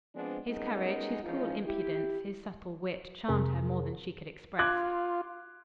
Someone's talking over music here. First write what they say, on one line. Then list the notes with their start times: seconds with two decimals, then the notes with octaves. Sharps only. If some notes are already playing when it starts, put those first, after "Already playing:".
His courage, his cool impudence, his subtle wit charmed her more than she could express.
0.15 F3 G#3 B3 C4 D4
0.48 G3 G#3 B3 C#4 D#4 A#4
1.24 E3 F3 G#3 C#4 D#4 F4
1.64 E4 G4
3.28 F2 C3 G#4 A#4
4.59 F4 D6 F#6 G#6